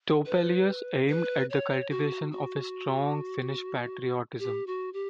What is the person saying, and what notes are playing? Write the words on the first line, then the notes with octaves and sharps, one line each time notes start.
Topelius aimed at the cultivation of a strong Finnish patriotism.
B4
B4
C#5
F#4
F#4
G4
F#4
G4